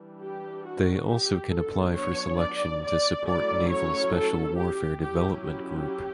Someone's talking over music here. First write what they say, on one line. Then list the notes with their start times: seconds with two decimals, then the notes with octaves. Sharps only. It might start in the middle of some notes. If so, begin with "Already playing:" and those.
They also can apply for selection to support Naval Special Warfare Development Group.
Already playing: E3 G3 D4
0.21 G4
0.65 F#4
1.09 G4
1.52 F#3 B3 D4 A4
1.95 C#5
2.39 D5
2.83 D5
3.27 F#3 A3 C#4 E4 D5
3.70 C#5
4.14 A4
4.58 G4
5.01 F#3 C#4 E4 G4
5.46 G4